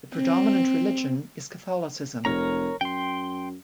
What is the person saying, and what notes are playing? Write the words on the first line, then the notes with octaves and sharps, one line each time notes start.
The predominant religion is Catholicism.
C4
F1 A#4 C#5 A#5
F#2 G5 C6